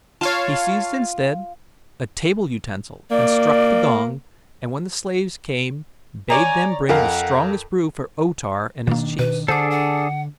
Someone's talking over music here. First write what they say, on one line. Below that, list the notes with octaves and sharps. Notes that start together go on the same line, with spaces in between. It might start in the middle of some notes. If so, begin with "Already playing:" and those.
He seized instead a table utensil and struck the gong, and when the slaves came bade them bring the strongest brew for O-Tar and his chiefs.
F4 C#5 F5 A5
A#3 D5
C#5 D5 G#5 A#5
F2 A#4 F5 F#5
B2 D#3 A#3 D4
B2 B4
D3 D4 G#4 A4 C5 F#5 D6
F#5